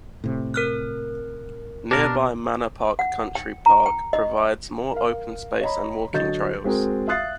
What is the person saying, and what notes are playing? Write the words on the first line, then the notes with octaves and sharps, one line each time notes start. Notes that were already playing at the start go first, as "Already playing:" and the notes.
Nearby Manor Park Country Park provides more open space and walking trails.
A2 C3
A#4 F6 F#6
B2 D4 G4 A#4
F#5
G5
A#5
G5
D#5
A#4 F5
C#5 D#5 A#5 B5
D3 F#3 D#5 G6 A6
G#3 C4 F#4 G#4 A#4
E5 F5 D#6 F#6 A6 C7